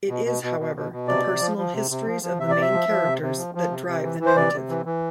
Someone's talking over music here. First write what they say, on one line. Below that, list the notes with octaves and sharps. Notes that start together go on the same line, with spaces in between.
It is, however, the personal histories of the main characters that drive the narrative.
B2
B2
B2
B2
B2
B2
C3 D5
C3
F3
F3
C3
C3
F3
F3
C3 E5
C3 D5
E5
F3
F3
C3
C3
F3
F3
C3
C3
E3
E3
C5
C3 D5
C3
E3
E3